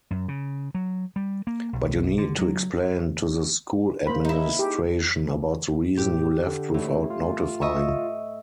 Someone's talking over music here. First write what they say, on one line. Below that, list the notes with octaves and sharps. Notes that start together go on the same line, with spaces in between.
But you need to explain to the school administration about the reason you left without notifying.
F#2
C#3
F#3
G3
A#3
B1
D3
F#3
A#3 C5 B5
D#4 E4
G4 G#4
A2 G4
D3
A2
F4
D#5 E5 C#6